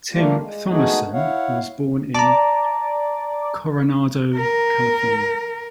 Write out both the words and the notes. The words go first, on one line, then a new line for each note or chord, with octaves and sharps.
Tim Thomerson was born in Coronado, California.
G3 A3 A#3 F4 G4
G#3
G#3 A3 B3 D#4 F#4 G#4
E4 C#5 F5 F#5
D5 A5 A#5 D6
A#4